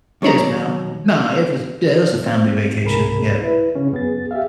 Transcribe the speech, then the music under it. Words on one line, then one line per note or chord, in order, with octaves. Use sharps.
Yes, ma'am. Nah, it was yeah, it was a family vacation, yeah.
D#2 F#3 C#5 D#5 A#5
C4
C#2 G#2 C3 G#4 A#4 B5
E4 B4
C#3 C#4
F#2 B3 G#4 A6
G4 G#4 E5 F5